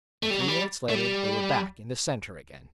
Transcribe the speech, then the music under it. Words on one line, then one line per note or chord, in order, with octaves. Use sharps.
And three minutes later they were back in the centre again.
A3
G3
F#3
G3
A3
G3